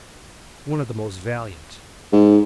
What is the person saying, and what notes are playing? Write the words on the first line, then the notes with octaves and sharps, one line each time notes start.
One of the most valiant.
G#2